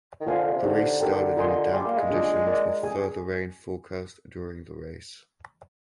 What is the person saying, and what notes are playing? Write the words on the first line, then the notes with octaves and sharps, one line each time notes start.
The race started in damp conditions with further rain forecast during the race.
D#3
D3 F4 C5 F5 G#5 C6
D3
C3
D3 D#4 G4 C5
D3 D#4 G4 A#4 D5 G5
F4 A#4 D#5 G#5 C6
G3 G#4 D5 G#5 C6
A#3
G#3
D4 F4 G#4 D5
A#4 D5 G#5
G#4 G#5